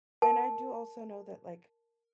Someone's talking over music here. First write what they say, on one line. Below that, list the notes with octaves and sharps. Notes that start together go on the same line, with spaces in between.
And I do also know that, like,
A#4 A5